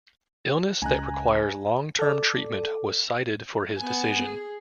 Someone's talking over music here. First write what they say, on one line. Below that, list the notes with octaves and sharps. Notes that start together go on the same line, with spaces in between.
Illness that requires long-term treatment was cited for his decision.
C#2 G#3 G#5 A#5 F#6
A4 D5
B3 G#5
G#4